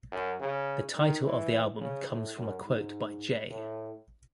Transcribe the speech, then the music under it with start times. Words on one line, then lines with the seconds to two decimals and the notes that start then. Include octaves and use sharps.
The title of the album comes from a quote by J.
0.12 F#2
0.40 C#3
0.96 D#3
1.24 E3
1.80 C#3
2.09 A2
2.37 F#2
2.65 G#2
3.49 A2